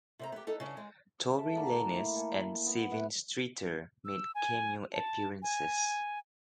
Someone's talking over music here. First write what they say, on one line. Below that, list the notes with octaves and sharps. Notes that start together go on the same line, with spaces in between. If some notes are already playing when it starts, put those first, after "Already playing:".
Tory Lanez and Sevyn Streeter made cameo appearances.
C3 C5 A#5
B3 G4
B3 D#4 A4
G2 C#3
G#3
G#4 A4 E5 A5
A2 D3 D#3 A#3
E4
A#3 G#5 A5 C#6
B3
B4 E5 F#5
E6
G#5
A5
G#5